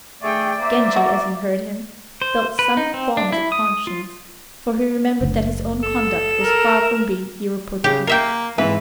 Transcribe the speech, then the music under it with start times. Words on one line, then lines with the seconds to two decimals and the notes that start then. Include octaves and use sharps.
Genji as he heard him, felt some qualms of conscience, for he remembered that his own conduct was far from being irreproachable.
0.23 A3 G#4 D5 G5
0.59 A#3 C5 E5
0.96 F#4
2.22 C5
2.59 B4
2.77 D#4
2.94 C4
3.17 D4
3.32 E4
3.52 D#6
3.87 F4
5.21 F#1 D2
5.83 A4 E7
6.42 A#4
7.84 C#3 G4
8.07 A#3 A#4 E5 G5 C7
8.58 G#2 E3 B4 E5